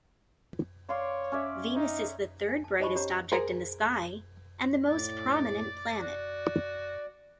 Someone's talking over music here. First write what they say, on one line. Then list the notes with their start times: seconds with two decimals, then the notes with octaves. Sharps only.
Venus is the third-brightest object in the sky and the most prominent planet.
0.89 C#5 D5 F5 C6
1.32 C#4 D5 E5
1.76 D#4
2.49 G#5
2.64 A5
2.80 D#4 C5 D#5 A5 B5 C#6
2.95 C#4 G4 C#5 A#5
3.32 G#4 A#4 C5
4.86 A2 D5
6.01 F#4 D5